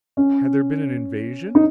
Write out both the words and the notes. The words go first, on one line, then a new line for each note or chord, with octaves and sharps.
Had there been an invasion?
C#4
D#4